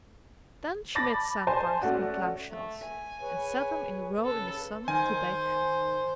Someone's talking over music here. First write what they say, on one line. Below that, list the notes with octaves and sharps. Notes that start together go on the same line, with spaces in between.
Then she made sand-pies in clam-shells and set them in a row in the sun to bake.
A5 B5 D6 A6 A#6
C5 G#5 A5
A3 C#4 F#4 D5
A3
G#5
G#4 B4 C#5
C#3 A4 B4
D#3 C5 G#5